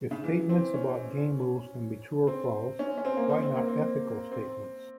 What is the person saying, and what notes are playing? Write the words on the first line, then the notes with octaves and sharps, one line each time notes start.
If statements about game rules can be true or false, why not ethical statements?
C#3
E3
C4
C#4
C4
C#4
C#4
C4
A#3
C4
C4
A#3
C4
C4